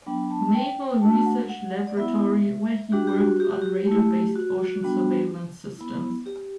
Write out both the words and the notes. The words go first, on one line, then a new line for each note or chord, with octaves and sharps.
Naval Research Laboratory where he worked on radar-based ocean surveillance systems.
F#3 B3 D4 G5
A5
G5
A3 D4 F#4 A5
F#5
F#5
D5
B3 E4 E5
G3 D4 F#4 G4
G4
F#4
G4
F#4
G4
A3 E4
F#4
F#4
G3 B3 D4 F#4
B3 E4
G4